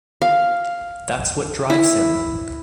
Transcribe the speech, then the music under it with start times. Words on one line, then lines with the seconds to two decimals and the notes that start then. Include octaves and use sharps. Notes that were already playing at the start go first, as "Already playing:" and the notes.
That's what drives him.
0.22 F5
1.70 E4